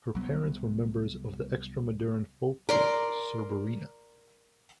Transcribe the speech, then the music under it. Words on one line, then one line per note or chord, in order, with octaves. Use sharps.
Her parents were members of the Extremaduran folk group Surberina.
C2 F#3 B3
A#4 D5 C6